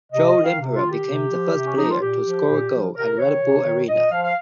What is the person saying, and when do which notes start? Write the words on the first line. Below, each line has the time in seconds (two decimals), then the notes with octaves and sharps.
Joel Lindpere became the first player to score a goal at Red Bull Arena.
0.13 C3 D#5
0.29 D#5
0.37 D#3
0.44 F5
0.60 C3
0.75 F4
0.84 D#3
0.91 G4
1.07 C3
1.30 F3
1.54 C3
1.64 C#4
1.77 F3 D#4
1.89 F4
2.00 A#2 G4
2.24 F3
2.48 A#2
2.71 F3
2.94 C3 A#4
3.18 D#3 C#5
3.42 C3
3.65 D#3
3.88 A#2 D#5
4.12 F3 F5
4.24 F5